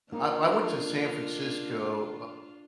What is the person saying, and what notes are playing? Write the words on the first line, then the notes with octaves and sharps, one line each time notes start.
I I went to San Francisco,
A#3 D4 D#4 F4